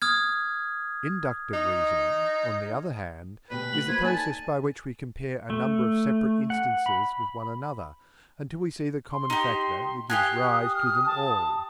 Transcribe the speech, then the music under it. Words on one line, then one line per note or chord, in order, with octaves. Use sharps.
Inductive reasoning; on the other hand, is the process by which we compare a number of separate instances with one another until we see the common factor that gives rise to them all.
D#6 F6 G#6
D#4
D2 B2 G4 B4
A3 F#4 F#7
F2 A#3 C5 G#6
D#4 A4 D5 G#5 A5
A3
F#5
B5
C6
D#4 G4
G4 F5 G#5 D#6 F#6
F6
A5